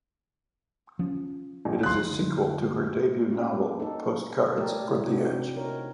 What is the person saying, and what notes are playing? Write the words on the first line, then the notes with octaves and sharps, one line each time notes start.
It is a sequel to her debut novel "Postcards from the Edge".
F3 C#4
A#1
F#1 C2 F3 C6 F#6
F2 D3 E4
A#3 C#4 G4
D#4 A4
A3 G4 A4 A#4 C#5 D5
E4
C3 C4 D4 D#4 F#4 D5
D#4 A#4 C#5